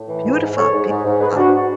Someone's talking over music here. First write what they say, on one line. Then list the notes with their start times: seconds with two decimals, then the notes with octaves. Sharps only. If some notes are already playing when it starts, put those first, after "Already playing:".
Beautiful, beautiful.
Already playing: A2
0.09 E3
0.24 G#2
0.41 G#2
0.56 G#2 A4 C#5
0.73 G#2
0.89 G#2
1.05 G#2
1.20 G#2 G#4 B4
1.37 G#2 D4 F#4